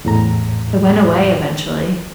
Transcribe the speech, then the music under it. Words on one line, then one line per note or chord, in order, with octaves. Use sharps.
it went away eventually.
E2 A2 A#5